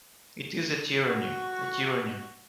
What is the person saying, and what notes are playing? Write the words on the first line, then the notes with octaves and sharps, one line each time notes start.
It is a tyranny — a tyranny.
F#4 C#6